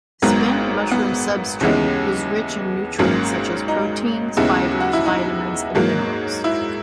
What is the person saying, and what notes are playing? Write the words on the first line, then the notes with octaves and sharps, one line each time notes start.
Spent mushroom substrate is rich in nutrients such as proteins, fibers, vitamins, and minerals.
G#1 G#2 F#3 B3 A#4
B3
D#2 C#3 E3 G#3 B3
G#1 G#2 F#3 A#3 C#4
D#4
D#2 C#3 G#3 B3 E4
F#4
E4
D#4
G#2 F#3 A#3
E4